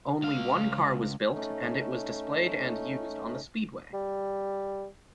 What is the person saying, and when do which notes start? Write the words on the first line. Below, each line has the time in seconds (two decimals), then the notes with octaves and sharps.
Only one car was built and it was displayed and used on the speedway.
0.22 C#2 F5
1.32 A3 C#4 D#4
3.94 G3